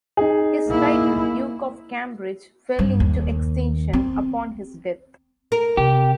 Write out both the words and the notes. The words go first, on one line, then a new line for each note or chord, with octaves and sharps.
His title, 'Duke of Cambridge', fell into extinction upon his death.
D#4 G#4
A#3 E4
G2
D#2
C4
A#4
C3 G4